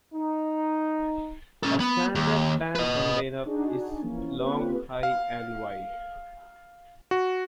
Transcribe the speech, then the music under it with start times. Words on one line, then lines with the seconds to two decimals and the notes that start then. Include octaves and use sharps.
A standard tank container is long, high and wide.
0.14 D#4
1.63 C#4 A4
1.80 B3
2.15 D#2
2.75 B4 D#5
3.45 D4 D#4 F#4 G#4
4.01 E3 F3 A#3 C#4
4.38 A#3 C4 C#4 F4 G4 B4
5.03 F5
7.11 F#4